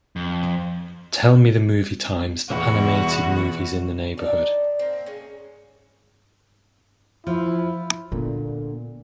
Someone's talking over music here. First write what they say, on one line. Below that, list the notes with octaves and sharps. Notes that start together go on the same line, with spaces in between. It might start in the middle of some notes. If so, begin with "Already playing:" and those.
Tell me the movie times for animated movies in the neighborhood.
F2
E2 B2 F#4
D4 D#4 D5
A#3 C4
G#3 C#4
F3 E4
A#2 D3 B3